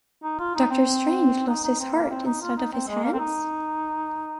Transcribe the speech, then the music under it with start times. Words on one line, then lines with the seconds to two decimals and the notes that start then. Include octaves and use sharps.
Doctor Strange Lost His Heart Instead of His Hands?
0.24 D#4
0.39 F4
0.55 D#4
0.70 C4
1.48 D#4
1.63 D#4
1.79 C4
1.94 A#3
2.10 C4
2.25 D#4
2.41 F4
2.57 D#4
2.73 C4
2.88 G#3
3.03 A#3
3.13 C4
3.19 D#4